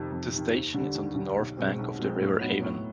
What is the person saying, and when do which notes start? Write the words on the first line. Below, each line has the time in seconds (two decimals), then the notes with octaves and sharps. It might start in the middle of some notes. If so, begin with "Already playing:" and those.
The station is on the north bank of the River Avon.
Already playing: F2 C3 D#3
0.12 F2
0.32 C3 D#3
0.54 D#2
0.74 D3 G3
0.95 D#2
1.16 D3 G3
1.36 B1
1.57 B2 G#3 C4
1.79 B1
1.99 B2 G#3 C4
2.20 A2
2.40 F#3 B3 D#4 F#4
2.61 A2